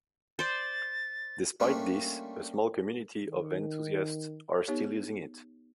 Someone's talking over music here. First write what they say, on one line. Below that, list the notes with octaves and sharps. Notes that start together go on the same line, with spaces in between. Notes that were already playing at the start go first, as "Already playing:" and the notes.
Despite this, a small community of enthusiasts are still using it.
C5 D5 A6
G3 A3 A#3 C#4 D4 F4
D#3
B3 D#4 G4 C#5